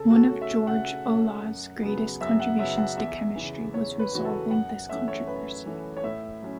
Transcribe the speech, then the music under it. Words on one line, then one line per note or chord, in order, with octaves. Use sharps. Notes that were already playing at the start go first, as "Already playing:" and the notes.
One of George Olah's greatest contributions to chemistry was resolving this controversy.
Already playing: C#3 A4
F#4
A4
A3 C#4
E5
C#3 F#5
A3 C#4
F#2
C#3 F#3 B3
F#2 E5
F#5
C#3 F#3 B3 E5
F#5
E2 E5
C#3 E3
E2 C#5
B4
C#3 E3 F#4
A4
F#2 F#5
F#5
E3 A3 C#4 E5
C#5
F#2 B4
E3 A3 C#4
C#5
A2 E5
F#3 C#4